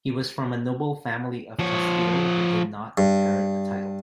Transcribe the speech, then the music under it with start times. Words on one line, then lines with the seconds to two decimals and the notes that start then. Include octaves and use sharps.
He was from a noble family of Castile, but did not inherit a title.
1.59 F3 C#5
2.98 G2